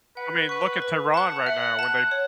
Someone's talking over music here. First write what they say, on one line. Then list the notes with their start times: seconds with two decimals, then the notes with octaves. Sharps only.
I mean, look at Tehran right now when they
0.17 B4 F#5
0.49 B4 C#6 F#6
0.82 B4
1.14 F#5 A5 F#6
1.46 E5 F#5
1.79 F#5 A5 F#6
2.11 C#5